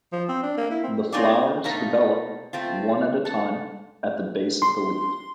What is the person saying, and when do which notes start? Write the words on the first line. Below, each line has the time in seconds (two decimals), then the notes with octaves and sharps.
The flowers develop one at a time at the base of the leaf.
0.12 F3
0.28 C4
0.43 D4
0.57 A#3
0.70 E4
0.83 C4
1.12 C4 D#4 F4 G#4 C#5 D5
1.64 B2 A3 A#3 D#4
2.53 A3 C4 F4
3.25 A4
4.62 C6